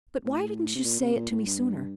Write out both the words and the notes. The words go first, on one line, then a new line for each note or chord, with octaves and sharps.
"But why didn't you say it to me sooner?"
A2
C3
A#2
C3
A#2
A2
G2